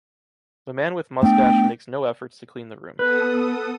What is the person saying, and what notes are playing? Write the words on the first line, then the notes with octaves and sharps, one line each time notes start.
The man with mustache makes no efforts to clean the room.
A3 B3 D4 G5
B3 A4 B4 D#6